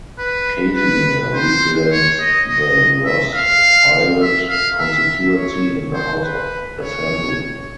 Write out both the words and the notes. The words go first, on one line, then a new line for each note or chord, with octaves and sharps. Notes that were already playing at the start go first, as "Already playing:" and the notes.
Casimir represents the Gros Islet constituency in the House of Assembly.
B4
B4
C5
C#5
D#5
D#5
E5
F5
E5
F5
E5
C#5
C5
B4
C#5